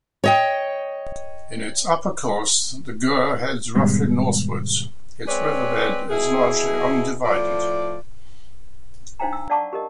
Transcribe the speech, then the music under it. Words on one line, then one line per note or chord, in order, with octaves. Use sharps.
In its upper course the Gur heads roughly northwards its riverbed is largely undivided.
C#5 D#5 G5
G#2 B2 D#3 G3 G#3 B3
G#3 C4 B4 C#5 D5
B2 E4 G#4
A2 F3 D5
D4 D#4 C5 F5 G5 A#5
E6
D5 F5 F#5 A5 C#6 D6
G4 A#4 D#5